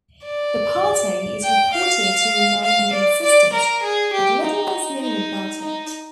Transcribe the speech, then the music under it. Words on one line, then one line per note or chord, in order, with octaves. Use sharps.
The party is reported to remain in existence, but little is known about it.
D5
G5
F5
F5
D5
D5
A#4
G#4
G4
D#4
D#4
D#4